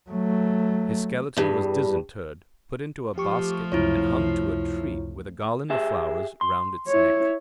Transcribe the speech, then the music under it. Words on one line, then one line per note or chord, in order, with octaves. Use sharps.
His skeleton was disinterred, put into a basket, and hung to a tree with a garland of flowers round its neck.
F#3 A3
E2 G2
F3 A3 G4 C#6 D6
C#2 F#2 C3 E4 F4 C#5
G4 G#4 E5
C6
E4 C#5